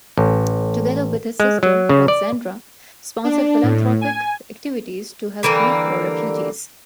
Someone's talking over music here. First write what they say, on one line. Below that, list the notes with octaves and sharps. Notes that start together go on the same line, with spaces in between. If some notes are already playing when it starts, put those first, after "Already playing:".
Together with his sister Roxandra sponsored philanthropic activities to help Greek war refugees.
A1
G#3
F#3
C#3
D5
D4
A2
G#5
D3 E3 G3 A#3